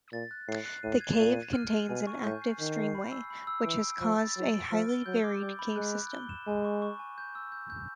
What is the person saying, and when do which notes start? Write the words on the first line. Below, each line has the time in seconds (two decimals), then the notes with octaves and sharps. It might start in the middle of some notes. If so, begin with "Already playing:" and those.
The cave contains an active streamway, which has caused a highly varied cave system.
0.13 A#2 A6
0.31 F#6
0.48 A2 C7
0.66 F#6
0.83 A2 D#7
1.00 G#6
1.18 A#2 D#7
1.36 D#7
1.53 F6
1.71 F6
1.89 B2 G#5
2.07 C#6
2.24 A2 G6
2.42 C7
2.59 D#3 G6
2.76 C7
2.95 B5
3.12 E6
3.30 B5
3.47 E6
3.65 E3 D7
3.82 E6
4.01 F3 E6
4.18 A6
4.36 F#3 A6
4.54 D7
4.71 F3 F6
4.89 G7
5.06 F#3 G6
5.24 D6
5.41 G3 G6
5.59 B5
5.76 G#3 F#6
5.95 F#6
6.12 G7
6.29 E7
6.47 G#3 G#5
6.65 C#6
6.82 C#6
6.99 G#5
7.18 G6
7.35 E6
7.52 G6
7.70 G6